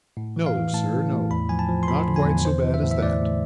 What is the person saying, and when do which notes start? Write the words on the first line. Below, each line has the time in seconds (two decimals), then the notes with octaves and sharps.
'No, sir, no. Not quite so bad as that.
0.17 A2
0.36 E3
0.46 F5
0.55 E3
0.74 A2 A5
0.93 E3
1.12 A2
1.31 E2 B5
1.49 F3 G#5
1.59 A5
1.68 F3
1.83 C6
1.87 F3 B5
2.08 D3
2.16 G#5
2.26 E2
2.45 E3 C5
2.64 E3
2.74 E5
2.83 A2
2.91 E5
3.02 A2 D5
3.21 A2